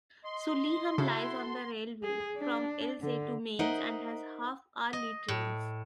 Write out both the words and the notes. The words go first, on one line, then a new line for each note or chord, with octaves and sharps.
Saulheim lies on the railway from Alzey to Mainz and has half-hourly trains.
D#5 C6
C#3 E4 F#4 A4
G#4
D4
D3
D#4 A#4 C5 D#5 E5 F#5
D#5
A2